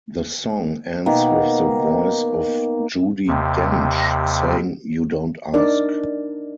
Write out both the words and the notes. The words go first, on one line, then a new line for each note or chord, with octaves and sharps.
The song ends with the voice of Judi Dench saying You don't ask.
B2 D#3 A#3
D#2 C3
D4 D#4 A#4 D5